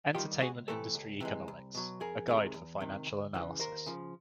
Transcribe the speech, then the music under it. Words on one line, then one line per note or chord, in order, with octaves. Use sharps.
"Entertainment Industry Economics: A Guide for Financial Analysis".
D#3 G3 F4 G4
C#2 F#4 G#4
C3 E3 A3 G4 A4
C#2
C3 E3 G#3
C2
B2 F#3
F2 G#4 A#4
C3 D#3 G#3
E2
C3 D#3
D2
C#3 E3
D#2 A#4 C5
C#3 F3